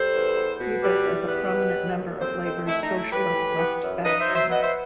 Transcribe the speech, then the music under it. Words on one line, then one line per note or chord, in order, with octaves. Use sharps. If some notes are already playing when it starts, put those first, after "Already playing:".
Debus is a prominent member of Labor's Socialist Left faction.
Already playing: G3 A4 C5
E2
B3
B2
G3 G4 B4
E2
B3 G4 B4
B2
F#3
D#2
C4 A4 C5
D#3 A4 C5
A3 E4
D#4
A2
E4
A2 G4 B4
E3
B3
F#2
D#4 B4 D#5
C5 E5
F#3
C5 E5
B3 D#5 F#5
C5 E5